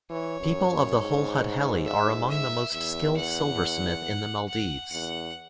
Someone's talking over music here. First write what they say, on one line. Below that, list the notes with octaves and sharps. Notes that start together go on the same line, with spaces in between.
People of Hulhudheli are among the most skilled silversmith in the maldives.
E3 C#5
F#2
F#2
G#2
E5
E5
E2 E5
F#5
F#5
E2 F#5